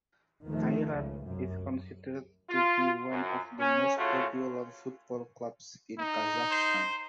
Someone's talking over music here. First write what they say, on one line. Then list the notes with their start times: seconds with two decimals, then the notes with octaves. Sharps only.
Kairat is considered to be one of the most popular football clubs in Kazakhstan.
0.45 D#2 D#3 F3 A3
0.89 C#2 C#3
1.26 C2 F#2
2.50 F4
3.10 F#2
3.59 C#4
3.98 A2 C#3 A3 F4 F#4
5.99 D#4
6.51 C5